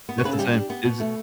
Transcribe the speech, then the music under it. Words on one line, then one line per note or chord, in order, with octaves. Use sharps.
That's insane. Is i
B3
C#5
C#3 B4
A4
G3 G4
D4
B3
B2
A3